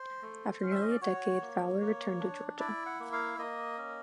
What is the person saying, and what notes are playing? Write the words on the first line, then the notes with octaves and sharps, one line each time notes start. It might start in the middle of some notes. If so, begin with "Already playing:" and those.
After nearly a decade, Fowler returned to Georgia.
Already playing: C5
A3
C#4
E5
D#5
D5
F#4 C#5
A#3
A#3
D4
E4 D5
F#5
A#3
F5
A#3 D#5
C#4